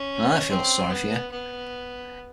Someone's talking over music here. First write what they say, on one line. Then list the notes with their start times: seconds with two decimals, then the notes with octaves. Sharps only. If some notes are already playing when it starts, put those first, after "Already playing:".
I feel sorry for you.
Already playing: C#4
0.49 C4
0.90 B3
1.32 B3